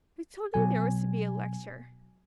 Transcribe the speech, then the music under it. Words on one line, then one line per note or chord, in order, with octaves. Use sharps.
"Who told you there was to be a lecture?"
B2 F#3 G#5